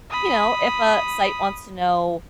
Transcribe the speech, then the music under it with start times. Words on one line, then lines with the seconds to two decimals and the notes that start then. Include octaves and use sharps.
you know, if a site wants to know,
0.11 B5 D#6